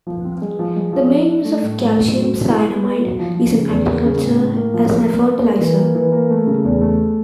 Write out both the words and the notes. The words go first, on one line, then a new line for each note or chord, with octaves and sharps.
The main use of calcium cyanamide is in agriculture as a fertilizer.
F3
C4
G#3
F3
G#3
F3
D4
D4
A3
A2
A2
A3
F#3
F#3
E4
B3
B3
F#3
F3
F3
C#3
E2
A#3
C#3
A2
A2
A#3
F3
A#3
A#3
A#3
A#3
E3
A#3
E3
A#3
A3
C#3
E2
A3